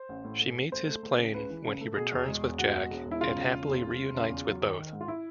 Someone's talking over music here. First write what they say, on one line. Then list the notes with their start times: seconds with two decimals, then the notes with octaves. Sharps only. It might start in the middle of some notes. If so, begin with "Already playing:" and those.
She meets his plane when he returns with Jack and happily reunites with both.
Already playing: C5
0.09 A1
0.24 A2
0.40 A3
0.56 A1
0.72 A3 C5
0.87 A3
1.03 A3
1.19 C#3
1.34 C#2 B4
1.50 E3
1.65 C#3
1.81 A3
1.96 B2 G#4
2.12 E2
2.28 G#3
2.43 E1
2.59 E1 F#4
2.74 G#3
2.90 E1
3.05 E1
3.11 E4
3.21 C#3 F4
3.36 C#3
3.52 E1
3.68 E1
3.84 E1
3.99 E1
4.15 C#3
4.30 E2
4.45 F#3
4.62 D#3
4.76 D#3
4.93 G#2
5.01 F4
5.08 E4